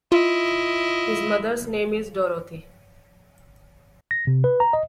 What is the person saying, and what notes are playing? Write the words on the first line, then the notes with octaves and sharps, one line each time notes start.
His mother's name is Dorothi.
E4 F4 D#5
A#6
C3
B4
A#5
D#5